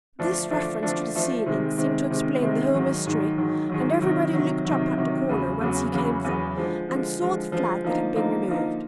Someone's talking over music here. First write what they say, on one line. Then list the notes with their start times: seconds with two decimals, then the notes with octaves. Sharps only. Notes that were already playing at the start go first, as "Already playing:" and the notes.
This reference to the ceiling seemed to explain the whole mystery; and everybody looked up at the corner whence he came from, and saw the flag that had been removed.
0.19 D3 F3 A3 D4
0.51 D3 F3 A3 D4
0.83 D3 F3 A3 D4
1.15 D3 F3 A3 D4
1.46 C3 D#3 G#3 C4
1.78 C3 D#3 G#3 C4
2.10 C3 D#3 G#3 C4
2.42 C3 D#3 G#3 C4
2.74 G#2 D#3 F#3
3.06 G#2 D#3 F#3
3.38 G#2 D#3 F#3
3.69 G#2 D#3 F#3
4.02 C3 D#3 F#3
4.33 C3 D#3 F#3
4.65 C3 D#3 F#3
4.97 C3 D#3 F#3
5.29 E2 C#3 F#3 B3
5.61 E2 C#3 F#3 B3
5.92 E2 C#3 F#3 B3
6.25 E2 C#3 F#3 B3
6.56 D3 F3 G#3
6.88 D3 F3 G#3
7.21 D3 F3 G#3
7.52 D3 F3 G#3
7.84 D3 F3 A#3 D#4
8.16 D3 F3 A#3 D#4
8.47 D3 F3 A#3 D#4